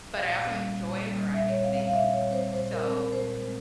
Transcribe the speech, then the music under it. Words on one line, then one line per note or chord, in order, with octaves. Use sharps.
but I also enjoy a variety of things, so
A#2 F5
G3 A#3 C#4
A#2
G3 A#3 C#4
A#2 E5
C#5
G3 C4 F5
F5
A#2 E5
C#5
G3 C4
C5
A#2 C5
A#4
G#3 C4
A#4
A#2 C5
G#3 C4